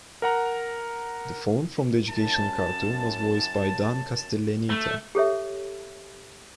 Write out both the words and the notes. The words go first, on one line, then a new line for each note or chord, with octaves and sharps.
The phone from the educational cartoon was voiced by Dan Castellaneta.
A#4 F#5 A#5
F#2 A5
A3
G4 A4 C#5 E5